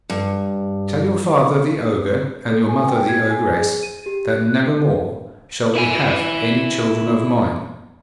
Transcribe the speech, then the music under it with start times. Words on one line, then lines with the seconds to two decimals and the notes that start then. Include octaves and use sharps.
Tell your father the ogre and your mother the ogress, that never more shall they have any children of mine.'
0.10 G2
2.50 A4
2.68 G#5
2.87 G5
3.09 G#6
3.30 G#5
3.58 G#4
3.83 D#7
4.06 G4
4.29 F#6
5.75 E4 G#5